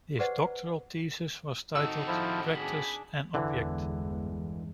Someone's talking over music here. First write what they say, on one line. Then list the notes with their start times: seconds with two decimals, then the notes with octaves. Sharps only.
His doctoral thesis was titled "Practice and Object".
0.19 G4 G#4 B4 C5 D5 F#5
1.75 C4 D#4 F#4 A4 E6
2.08 F3 E4
2.55 D4 G#4 B5
3.34 G1 E2 D3 E3 G#3